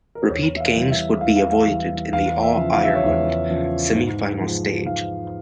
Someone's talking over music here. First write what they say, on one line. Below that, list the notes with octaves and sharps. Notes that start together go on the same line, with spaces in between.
Repeat games would be avoided in the All-Ireland semi-final stage.
A#4
C5
E2 C#5
E5
F5
E3 G3
E5
E2 F5
F5
F5
E3 G3
E2 F5
E5
C#3 F3
F5
E5
C#5
E2 E5
C#3 F3
G#2
F3 G#3
G#2 F5